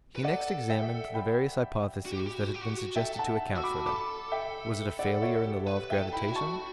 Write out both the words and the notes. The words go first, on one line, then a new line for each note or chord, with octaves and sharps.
He next examined the various hypotheses that had been suggested to account for them:--Was it a failure in the law of gravitation?
B4
A4 D5 F#5
E5 G5
G5 B5
F#4
G4
F#4
G4
F#4
G4
F#4
G4
F#4
G4
F#4
A4 E5 G5
F#5 A5
F#4 E6
B5 D6
A4 B5 D6
E5 G5
D5 F#5
C#5 E5
G4
B4
E5 G5
A4
E4 G5 B5
F#4
A5 C#6